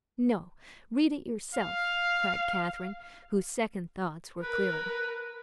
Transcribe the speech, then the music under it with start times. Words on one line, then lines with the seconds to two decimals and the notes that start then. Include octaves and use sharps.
"No, read it yourself," cried Catherine, whose second thoughts were clearer.
1.54 F5
4.43 A#4 B4